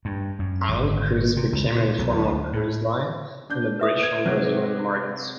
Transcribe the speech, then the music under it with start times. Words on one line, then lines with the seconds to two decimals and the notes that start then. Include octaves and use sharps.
Island Cruises became an informal cruise line on the British and Brazilian markets.
0.05 G2
0.39 F#2
0.69 G#1
1.37 C3
1.52 C#2
1.65 A#2
1.99 B1
2.12 D2
2.53 A2
3.50 D4 G6
3.79 B4 E5 D#6
4.03 G#6
4.25 C3 F#3 B4 C#5